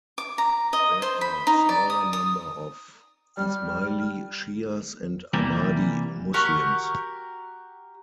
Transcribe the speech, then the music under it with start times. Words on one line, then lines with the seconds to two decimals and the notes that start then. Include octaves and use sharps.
There are smaller number of Ismaili Shias and Ahmadi Muslims.
0.18 D6
0.38 A#5
0.73 D#5
1.02 C5
1.21 B5
1.47 D#4
1.69 D5
1.90 D#6
2.13 D#6
3.37 G3 G5 F6
5.33 C2 E3 G3 A#3
6.34 F#4 G4 A#4 C#6